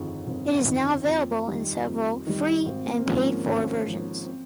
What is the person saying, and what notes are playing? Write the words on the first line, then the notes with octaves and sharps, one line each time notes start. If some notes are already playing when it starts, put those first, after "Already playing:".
It is now available in several free and paid-for versions.
Already playing: G1 F2 D#3 G#4
G1 C4
F2 D#3
F2 C4
D#3 G3
F2
D#3 G3
G#1 C4
A#3
C4
G#2 F3 C#4
A#3
G#1 C#4
G#2 F3
C4